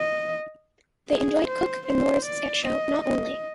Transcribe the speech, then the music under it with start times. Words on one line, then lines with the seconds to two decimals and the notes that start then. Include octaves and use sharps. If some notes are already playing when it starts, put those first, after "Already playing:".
They enjoyed Cook and Moore's sketch show Not Only...
Already playing: D#5
1.09 G#4
1.48 C5
1.87 C5
2.26 D5
2.66 D#5
3.04 D#5